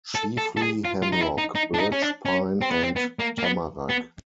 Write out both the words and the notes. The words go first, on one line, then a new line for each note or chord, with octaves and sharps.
Chiefly Hemlock Birch Pine and Tamarac.
A4
A4
A4
G#4
F4
F4
D#4
E4
D#4
D#4
D4
D#4
C#4
D4
C#4
C4
B3
C4
B3
A#3
A#3
B3
B3